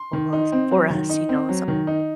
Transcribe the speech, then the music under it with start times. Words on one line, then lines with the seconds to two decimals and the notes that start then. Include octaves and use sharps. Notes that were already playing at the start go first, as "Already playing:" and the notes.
us for us, you know, as some
Already playing: C6
0.13 D#3
0.33 D#4
0.52 C4
0.71 F#3
0.90 D#3
1.09 D#4
1.29 C4
1.49 F#3
1.68 D#3
1.87 D#4